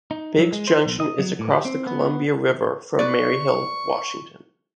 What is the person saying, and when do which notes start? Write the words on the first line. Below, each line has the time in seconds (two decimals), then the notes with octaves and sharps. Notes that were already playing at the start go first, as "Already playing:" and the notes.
Biggs Junction is across the Columbia River from Maryhill, Washington.
0.11 D#4
0.37 F#3
0.53 G#3
0.67 C5
0.85 B1
1.00 D#5
1.19 F#3
1.39 A2
1.51 G4
1.65 C4
1.87 B3
2.99 B4 D5 C#6